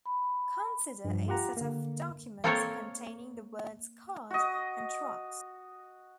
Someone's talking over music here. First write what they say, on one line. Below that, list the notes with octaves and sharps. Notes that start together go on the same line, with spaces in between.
Consider a set of documents containing the words "cars" and "trucks".
B5
G2 F3
F4 G4 F#5 A#5
D3 A#3
A#3 C4 A4 A#4 C5 C#5
F#4 D#5